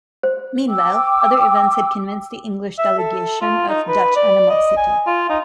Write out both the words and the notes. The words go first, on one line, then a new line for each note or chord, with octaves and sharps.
Meanwhile, other events had convinced the English delegation of Dutch animosity.
C5
G5 D6 E6
E5
A4
F4
D#4
B4
D5
D#5
G#5
F4
D#4